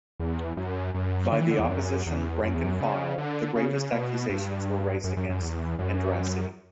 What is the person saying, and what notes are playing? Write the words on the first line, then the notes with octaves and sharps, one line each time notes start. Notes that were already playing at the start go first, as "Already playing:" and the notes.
By the Opposition rank and file the gravest accusations were raised against Andrassy.
E2
F#2
F#2
D3
E3
D3
E2
F#2
E2
F#2
E2
F#2
C#3
D3
C#3
B2
G2
F#2
F#2
F#2
E2
F#2